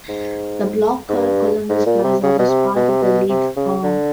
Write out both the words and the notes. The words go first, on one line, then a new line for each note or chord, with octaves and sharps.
The block called Columbus Plaza was part of the Leeds farm.
G#2
G#2
G2
G#2
A#2
C3
C#3
B2
C3
B2
C3
B2
C3
C#3
D3